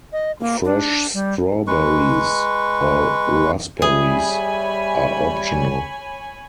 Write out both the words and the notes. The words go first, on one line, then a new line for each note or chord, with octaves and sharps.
Fresh strawberries or raspberries are optional.
D#5
A#3
D4
G3
G#3 B4 C#6
G3 G#4 C#5 E5 G#5 B5